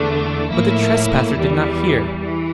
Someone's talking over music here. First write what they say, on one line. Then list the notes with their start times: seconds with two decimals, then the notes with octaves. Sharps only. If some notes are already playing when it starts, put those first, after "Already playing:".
But the trespasser did not hear.
Already playing: E2 D3 A3 D4
0.50 A2 F3 A#3 E4
1.36 E2 E3 G3
2.23 E3